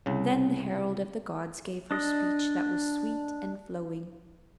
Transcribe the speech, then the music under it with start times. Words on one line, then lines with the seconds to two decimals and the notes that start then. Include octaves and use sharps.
Then the herald of the gods gave her speech that was sweet and flowing.
0.06 C2 C#3
1.91 D4 D#5